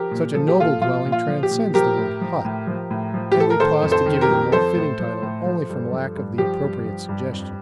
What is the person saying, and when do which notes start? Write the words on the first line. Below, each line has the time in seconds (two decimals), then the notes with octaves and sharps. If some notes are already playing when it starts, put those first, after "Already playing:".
Such a noble dwelling transcends the word 'hut,' and we pause to give it a more fitting title only from lack of the appropriate suggestion.
Already playing: F3 G4 A#4
0.11 A#2
0.35 F3 A4
0.48 G4
0.59 A#2 F4 A4
0.81 F3 F4
1.05 A#2
1.12 F4
1.29 F3
1.43 G4
1.51 A#2
1.74 F3 G4 A#4
1.97 A2
2.21 F3
2.45 A2
2.67 F3
2.90 A2
3.14 F3
3.32 G4
3.37 A2 A4
3.50 A#4
3.60 D#3 A4 C5
3.83 F2
3.92 A4 C5
4.06 D#3
4.21 G4 A#4
4.29 F2
4.52 F3 A4 C5
4.75 A2
4.99 F3
5.22 A2
5.46 F3
5.69 G2
5.93 F3
6.16 G2
6.38 F3 G4
6.62 G2
6.85 F3
7.09 G2
7.31 F2